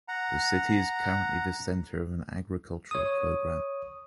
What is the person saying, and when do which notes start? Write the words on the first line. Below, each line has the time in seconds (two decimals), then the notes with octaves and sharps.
The city is currently the center of an agricultural program.
0.08 F#5 A#5
2.91 C#5 D#6